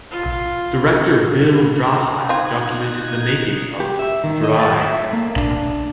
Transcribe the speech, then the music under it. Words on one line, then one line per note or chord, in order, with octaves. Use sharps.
Director Bill Draheim documented the making of "Drive".
F4
C4 D#4 F4 F#6 G#6
G4
E5
D#3
D#5
A5
E5
A#3
D4